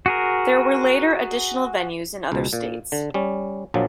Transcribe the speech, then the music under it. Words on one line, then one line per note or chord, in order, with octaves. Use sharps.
There were later additional venues in other states.
F#4 G#4 A#4
C#2 B2
A#2
D3
G3 C#4
A#1 A#2 F3 F#3